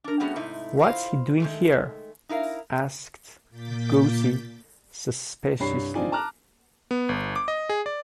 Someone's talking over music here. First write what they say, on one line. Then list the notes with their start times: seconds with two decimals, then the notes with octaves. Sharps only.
'What's he doing here?' asked Gussie suspiciously.
0.04 D4 A#4
0.20 G3 A3 B3 C#4 F#4 G#4
0.36 G#2 C3 A3 D#4 E4
0.79 E4 F4 C5 D#5 F5
1.40 D#3 G#3 A3
2.29 D#4 E4 A#4 F5
3.50 A#2 A#3 D6 G6 A6 B6
5.60 C2 G2 C#5 B5 C7
5.95 C4 D4 D#4 F4 D5 G#5
6.12 A5 A#5 D6 F6 F#6
6.91 B3
7.09 G1
7.36 D6
7.48 D#5
7.69 G#4
7.86 D5